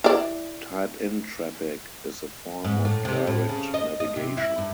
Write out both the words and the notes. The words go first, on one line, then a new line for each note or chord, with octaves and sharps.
Type-in traffic is a form of direct navigation.
E4 D5
G#2
A2
C3
A2
C#3
D#5
D#5
C3
E4
G2